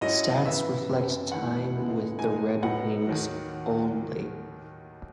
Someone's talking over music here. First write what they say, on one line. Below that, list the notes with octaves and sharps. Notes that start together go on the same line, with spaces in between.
Stats reflect time with the Red Wings only.
G#2 F#3 C#4 E4 D#5
C#3 E3 B3 E5
F#2 C#3 F#3 B3
E2 D#3 A3 E4 F#5
C#2 B2 G#3 B3 E4
B2 G#3 D#4 G#5
A2 F#3 B3 D#4 F#5
D#2 D#3 F#3